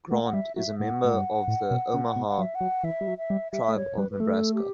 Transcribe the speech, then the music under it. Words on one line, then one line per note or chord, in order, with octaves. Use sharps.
Grant is a member of the Omaha tribe of Nebraska.
A3 F#5
F#5
G3 E5
F#3 E5
A2 F#5
A2
G2
A2
B2
C#3
B2
F#5
F#3
E5
F#5
F#3
E3 E5
G3
F#3
E5
G3
G3 E5
A3
G3 C#5
G3 B4
B4
A3 A4
G4